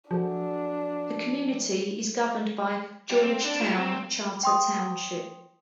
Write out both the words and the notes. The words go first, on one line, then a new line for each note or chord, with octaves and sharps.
The community is governed by Georgetown Charter Township.
F3 D4 F#4 G#4 A4
G3
C4
D4
F3
C4
G5 C6 D#6